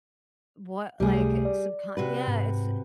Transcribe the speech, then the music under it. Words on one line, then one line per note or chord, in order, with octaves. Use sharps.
what, like, uh, subcon yeah, it's
C#2 C3 G3 A3 G#4
D5
C3 F#4 B4
G#2